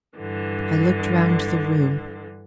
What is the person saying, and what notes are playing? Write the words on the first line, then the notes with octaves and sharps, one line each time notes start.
I looked round the room.
G2 D3 E3